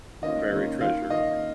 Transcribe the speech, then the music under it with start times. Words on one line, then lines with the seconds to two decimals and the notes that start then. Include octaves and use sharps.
buried treasure,
0.22 D#3 A#3 C#4 F4 D#5
0.52 D#3 A#3 C#4 F4
0.81 D#3 A#3 F4 F5
1.10 D#3 A#3 F4 D#5